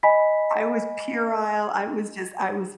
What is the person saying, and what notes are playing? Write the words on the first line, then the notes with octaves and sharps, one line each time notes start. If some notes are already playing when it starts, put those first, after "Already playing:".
I was puerile. I was just I was
D#5 G#5 B5 B6